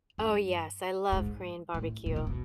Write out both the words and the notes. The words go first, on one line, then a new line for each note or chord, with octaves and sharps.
Oh, yes, I love Korean barbecue.
G2
G#2
A2
A#2
A#2
B2